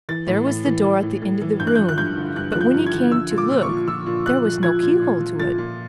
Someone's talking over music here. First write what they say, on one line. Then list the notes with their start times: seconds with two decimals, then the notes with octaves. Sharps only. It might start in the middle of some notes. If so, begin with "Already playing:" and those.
There was the door at the end of the room, but when he came to look there was no key-hole to it.
0.09 E3 A6
0.27 A2
0.47 A2
0.65 E3
0.85 E3
1.03 A2
1.22 A2
1.41 E3
1.60 G2 G6
1.67 F#6
1.75 F3 G6
1.89 F#6
1.98 G2 G6
2.17 D3
2.36 G2 F#6
2.52 F3 F#6
2.61 G6
2.74 G2
2.86 G#6
2.93 D3
3.12 F3 E6
3.31 A#2
3.38 D6
3.49 A#2
3.62 C#6
3.69 F3
3.87 F3 E6
4.06 A#2
4.26 A#2 F#6
4.45 F3
4.63 F3 G#6
4.82 A#2
5.01 A#2
5.20 F3
5.39 F3 A6
5.58 A#2